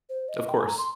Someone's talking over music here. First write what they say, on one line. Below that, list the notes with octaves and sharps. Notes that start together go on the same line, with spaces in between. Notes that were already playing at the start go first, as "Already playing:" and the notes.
Of course.
C5
D#5
G5
G#5
A#5
C6